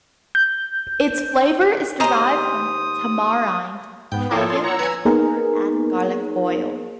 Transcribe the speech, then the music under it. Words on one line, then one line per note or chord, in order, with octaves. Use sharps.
Its flavour is derived from tamarind, cayenne pepper and garlic oil.
G6
D#2 G#3 C5 D#5 A#5 D#6
G#2 B3 G5
A#2 F3 E4 A4 C#5 G5
C6
C#5 F#5 A#5 E6
B4 G#5
A#3 B3 D#4 G#4 A#4